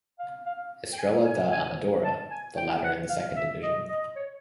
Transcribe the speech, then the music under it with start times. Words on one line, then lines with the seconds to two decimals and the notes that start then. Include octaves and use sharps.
Estrela da Amadora, the latter in the second division.
0.19 F5
0.46 F5
0.93 G5
0.99 G#5
1.25 G#5
1.52 G#5
2.04 A5
2.31 G#5
2.57 G5
2.84 F#5
3.10 F5
3.36 E5
3.63 D#5
3.89 D#5
4.16 C#5